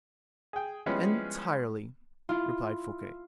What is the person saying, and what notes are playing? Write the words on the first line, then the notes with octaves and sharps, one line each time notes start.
"Entirely," replied Fouquet.
G#4 G5
F3 G3 G#3 B3 C#4 E4
E4 F4